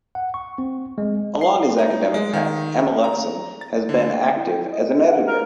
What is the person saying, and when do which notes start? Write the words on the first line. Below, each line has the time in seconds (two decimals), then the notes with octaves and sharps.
Along his academich path, Amelunxen has been active as an editor.
0.15 F#5
0.34 C#6
0.58 C4
0.98 G#3
1.41 C7
1.78 D#4
2.14 G#3
2.33 D#3
3.04 A#5
3.61 A6
3.89 D3
4.37 E4 G5
4.73 D#5
5.03 G4 F5 F#5
5.28 G#4 A#4